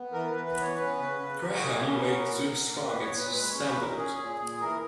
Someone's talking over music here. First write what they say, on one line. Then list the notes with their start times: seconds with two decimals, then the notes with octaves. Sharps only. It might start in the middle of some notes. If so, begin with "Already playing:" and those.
Graham made two strides, stumbled.
Already playing: B3
0.12 E3 A#4
0.29 E3 B4
0.45 B4
0.55 B3
0.61 C#5
0.76 C#4 B4
0.99 C#3
1.19 C#3
1.40 C#3 A#4
1.54 F#4
1.62 C#3 G#4
1.83 C#4 A#4
2.05 B3 A#4
2.26 A#2
2.48 A#2
2.68 A#2 A#4
2.85 B4
2.90 B3
3.01 C#5
3.11 A#2 B4
3.32 G#3 B4
3.49 C#4 C#5
3.65 B4
3.75 A#2
3.80 A#4
3.96 C#4 G#4
4.18 A#2
4.40 A#2
4.61 E3 A#4